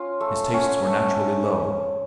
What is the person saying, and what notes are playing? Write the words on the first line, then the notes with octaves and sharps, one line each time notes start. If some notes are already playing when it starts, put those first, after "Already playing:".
His tastes were naturally low.
Already playing: C#4 F4
A3
C#4 F#5
A3